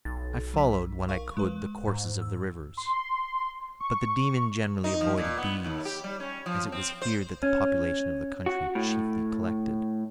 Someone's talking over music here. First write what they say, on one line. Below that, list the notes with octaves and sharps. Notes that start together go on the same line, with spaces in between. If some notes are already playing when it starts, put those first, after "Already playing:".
I followed, when I could, the courses of the rivers; but the daemon generally avoided these, as it was here that the population of the country chiefly collected.
B1 A6
F#3 B6
A#4 F5 C#6
G#3 B4
G#2
E6
C6
C#6
D#4
F3
A#2
B3
D#2
G4
G3
C#4
F3
C4
C5
C#4
F#4
A2